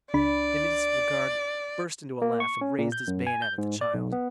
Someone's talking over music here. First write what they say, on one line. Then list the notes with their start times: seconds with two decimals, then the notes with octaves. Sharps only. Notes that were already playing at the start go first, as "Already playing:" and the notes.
The municipal guard burst into a laugh and raised his bayonet at the child.
0.14 C#2 D4 D5 B5
2.22 A#3
2.40 C#6
2.61 C#4
2.78 A#2
2.92 G6
3.07 F#2
3.27 G#5
3.42 G6
3.58 G#2
3.81 D5
3.94 B1
4.12 B3